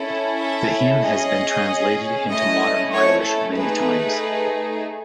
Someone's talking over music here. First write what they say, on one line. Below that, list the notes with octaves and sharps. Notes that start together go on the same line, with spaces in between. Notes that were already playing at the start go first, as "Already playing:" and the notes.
The hymn has been translated into Modern Irish many times.
Already playing: C#4 E4 A4
E5
C#4 G#4 D#5
A3 C#4 E4 D#5
C#5
A4
A3 D#4 G#4 B4